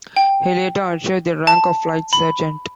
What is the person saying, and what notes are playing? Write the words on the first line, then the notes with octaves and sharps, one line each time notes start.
He later achieved the rank of Flight Sergeant.
G5
A5
B5